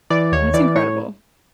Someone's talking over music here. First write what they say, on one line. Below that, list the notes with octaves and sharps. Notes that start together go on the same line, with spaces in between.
That's incredible.
E3 D5
D#2 C#5
E3 D5
A2 C#5